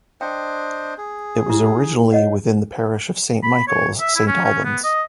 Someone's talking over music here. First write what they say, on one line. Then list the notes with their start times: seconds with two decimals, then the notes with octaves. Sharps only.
It was originally within the parish of Saint Michael's, Saint Albans.
0.21 D4 C5 D#5 G5
0.98 G#4
1.46 E4 G4
2.12 C#5 D#5 F#5
3.43 B5
3.68 C#5
4.00 E5
4.16 E4
4.27 C#4
4.45 C#4
4.64 B3
4.84 D#5